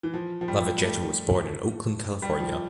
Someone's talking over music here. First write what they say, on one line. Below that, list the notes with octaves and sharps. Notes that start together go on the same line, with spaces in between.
Lavagetto was born in Oakland, California.
E3
F3
F3
G3
G3
A3
G3
F3